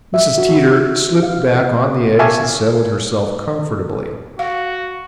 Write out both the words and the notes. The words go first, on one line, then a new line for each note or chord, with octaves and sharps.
Mrs. Teeter slipped back on the eggs and settled herself comfortably.
E5
F#4
F5
E5 F5 G#5 A5 C#6 D6
F#4 F5